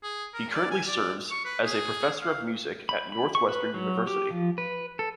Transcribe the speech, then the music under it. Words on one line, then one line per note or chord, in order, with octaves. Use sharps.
He currently serves as a professor of music at Northwestern University.
G#4
A#4
D5
G#5
D5
C#6
B4
G#4
F5
B5
B5
C#6
B4
F#3
G4
F3
B4
A4